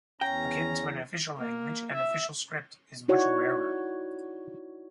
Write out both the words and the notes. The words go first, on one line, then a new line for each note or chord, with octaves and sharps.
Akin to an official language, an official script is much rarer.
E2 C#4 G5 A#5
A#3
E5
D#4 E4 F#4 C#5 D5